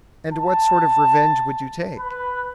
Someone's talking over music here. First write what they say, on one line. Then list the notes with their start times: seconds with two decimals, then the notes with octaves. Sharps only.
"And what sort of revenge would you take?"
0.32 A5
1.97 B4